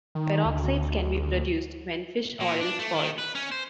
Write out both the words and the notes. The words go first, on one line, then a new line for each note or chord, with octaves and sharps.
Peroxides can be produced when fish oil spoils.
D#3
D2
A#2
D4
A3
D#3
B4
C#4
C5